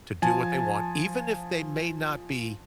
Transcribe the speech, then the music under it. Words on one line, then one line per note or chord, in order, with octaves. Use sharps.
to do what they want," even if they may not be
F3 G#5 A5